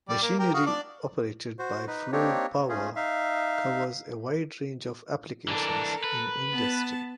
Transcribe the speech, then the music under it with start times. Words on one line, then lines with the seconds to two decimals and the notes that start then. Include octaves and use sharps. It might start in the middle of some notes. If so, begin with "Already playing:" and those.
Machinery operated by fluid power covers a wide range of applications in industry.
0.09 G3 D5
0.22 A#3
0.39 G4 A#4
0.54 F#4 F5 D#6
0.66 D4 D5
1.59 F#4 C5
1.87 D#4 B4
2.12 A#3 C4 D4 D#4 G4 C#5
2.69 A3 C#4 F4 G#4
2.96 D#4 E5 F5
5.48 E3 D4 A4 A#4
6.04 B4
6.50 B3 A5